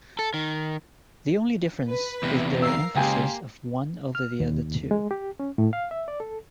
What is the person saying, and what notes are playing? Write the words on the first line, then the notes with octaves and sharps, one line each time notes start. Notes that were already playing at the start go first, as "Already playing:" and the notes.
The only difference is their emphasis of one over the other two.
A4
D#3
B4
E2 C3
A#4 F5 E6 C7
C#2 A#3 G4 G5 G#5 C6
F6
D#2
G#3
G4
C#4
A2
F5
E5
D5
A4